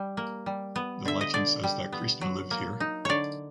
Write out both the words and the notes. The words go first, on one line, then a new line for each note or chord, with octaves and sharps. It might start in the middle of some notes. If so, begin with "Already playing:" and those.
The legend says that Krishna lived here.
Already playing: G3
A#3
G3
B3
D3 E5
D#5
D3 D5
G3
B3
F#3
A#3
D#4
D3 C#5 D5